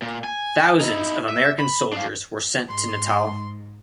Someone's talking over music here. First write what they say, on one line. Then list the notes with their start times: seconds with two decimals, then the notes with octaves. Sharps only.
Thousands of American soldiers were sent to Natal.
0.02 A#2
0.24 G#5
0.81 D#4 E4
1.29 E5
1.60 B5
1.93 D4 F5
2.68 G#2 C6